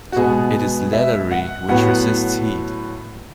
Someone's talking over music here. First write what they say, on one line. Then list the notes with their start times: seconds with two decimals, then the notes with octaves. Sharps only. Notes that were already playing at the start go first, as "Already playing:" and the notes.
It is leathery which resists heat.
0.12 F#4
0.16 B2 G#3 B3 G#4
0.93 E5
1.31 F#5
1.69 A2 F#3 B3 F#5